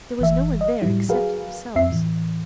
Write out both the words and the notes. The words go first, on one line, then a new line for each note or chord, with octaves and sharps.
There was no one there except themselves.
G1 E3 E5
D#5
A2 F#3 G3 E4
F#3 F#4 G#4 A#4 B4 F5
F2 C4 E5 C7
A2 E3